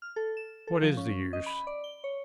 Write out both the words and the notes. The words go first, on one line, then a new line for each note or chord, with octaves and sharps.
What is the use?
F6
A4
E7
A4
F3
C#4
D#5
B5
D5
G7
C#5